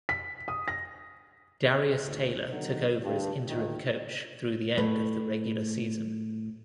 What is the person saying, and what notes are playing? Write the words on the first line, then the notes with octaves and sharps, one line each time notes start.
Darius Taylor took over as interim coach through the end of the regular season.
B6
D#6
A#6
G#1 D2
B2 D3 D#3 F#3
D2 G2
D2 A#2 D#3
A2 A3 B4